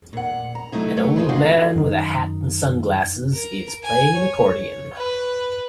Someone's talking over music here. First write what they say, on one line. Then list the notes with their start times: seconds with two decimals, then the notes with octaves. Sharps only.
An old man with a hat and sunglasses is playing an accordion.
0.13 A#2 F#5
0.55 A#5
0.72 D2 G2 F#3 A3 D#4 E4
0.96 D#3 F#3 A3 C#5
1.16 F3 A#3 B3 D#4 G#4 B4
1.29 D4 D#4 F4 F#4
1.76 F#2 D#3 D#4
3.34 A#4
3.84 G#5
4.16 C#5
4.97 B4